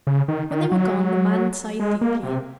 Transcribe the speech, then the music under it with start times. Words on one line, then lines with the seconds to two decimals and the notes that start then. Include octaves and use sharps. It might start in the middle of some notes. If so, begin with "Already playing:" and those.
When they were gone, the man sighed deeply.
0.07 C#3
0.28 D#3
0.51 D#3
0.72 F#3
1.80 G#3
2.01 A#3
2.23 C3